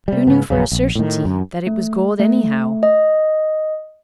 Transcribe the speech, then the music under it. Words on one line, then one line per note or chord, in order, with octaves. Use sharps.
Who knew for a certainty that it was gold anyhow?
C3 G3
G#2 C#3 B3
A#1 F#2 C#3
A#1
A2 D#3
F#2
A3
A3
D#5